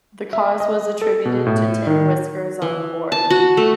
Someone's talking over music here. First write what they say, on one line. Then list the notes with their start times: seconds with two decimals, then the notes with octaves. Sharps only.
The cause was attributed to tin whiskers on the board.
0.33 E5
0.60 D#5
1.02 A4
1.25 B2
1.47 A2
1.87 D#3
2.62 E3
3.12 A5
3.30 F#4
3.57 A3